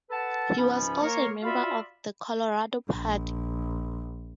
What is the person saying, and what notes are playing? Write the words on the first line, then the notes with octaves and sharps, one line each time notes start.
He was also a member of the Colorado Party.
A4 B4 F#5 A5
C#2 G#2 C#3 F3 C#4 B5
A#3 A#4 C#5
F4 F#4 D5 E5 F5 B5
A#1